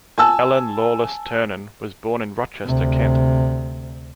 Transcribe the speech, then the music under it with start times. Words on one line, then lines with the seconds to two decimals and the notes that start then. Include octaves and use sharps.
Ellen Lawless Ternan was born in Rochester, Kent.
0.18 G#5 A5 E6
2.65 D2 C3